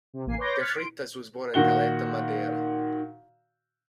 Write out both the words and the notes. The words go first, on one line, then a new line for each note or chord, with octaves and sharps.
De Freitas was born in Calheta, Madeira.
C3
A1 A#3 G#5 C7
B4 C#5 C6 D6 G6 A#6
F6 F#6 G#6 A6 B6 C#7
C6 D7
A#2 D#3 F#4 F#5 G7